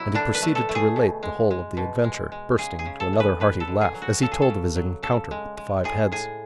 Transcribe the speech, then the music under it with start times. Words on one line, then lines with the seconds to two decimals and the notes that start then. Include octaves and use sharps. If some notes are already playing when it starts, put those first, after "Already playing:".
And he proceeded to relate the whole of the adventure,--bursting into another hearty laugh as he told of his encounter with the five heads.
Already playing: B2 F#3 E4
0.14 D3 D4
0.35 B4
0.42 A3
0.55 A4
0.69 A3
0.75 G#4
0.96 B2
1.23 G#3
1.51 G#3
1.77 B2
2.04 G#3
2.32 G#3
2.58 C#3 G#4
2.79 G#4
2.85 C#3
3.00 A4
3.13 E3
3.20 B4
3.40 D3 B4
3.60 A4
3.67 D3
3.81 G#4
3.94 F#3
4.02 F#4
4.21 C#3 A4
4.31 G#4
4.42 A4
4.49 C#3
4.76 F#3
5.03 C#3 A4
5.31 G#3
5.57 G#3
5.84 A2 G#4
6.12 A2 G#4